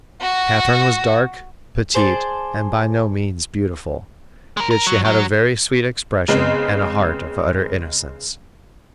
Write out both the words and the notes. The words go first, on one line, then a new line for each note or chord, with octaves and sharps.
Catharine was dark, petite, and by no means beautiful; yet she had a very sweet expression and a heart of utter innocence.
F#4
G#4 C5 D5 A5
G#3 A#4
A#4
F#3
F#3
C#3 G#3 B3 C4 D#4